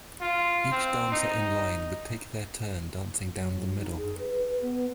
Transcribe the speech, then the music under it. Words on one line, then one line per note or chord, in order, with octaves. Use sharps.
Each dancer in line would take their turn dancing down the middle.
F4
C4
D#4
F#3
D#4
G#4
B4
B3